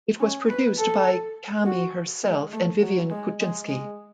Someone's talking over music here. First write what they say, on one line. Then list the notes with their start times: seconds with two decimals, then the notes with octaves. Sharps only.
It was produced by Caymmi herself and Vivian Kuczynski.
0.20 C#4
0.49 B4
0.79 A4
1.66 F#4
2.23 G#3
2.53 A3
2.81 F#3
3.10 G#3
3.40 G#3
3.68 G#3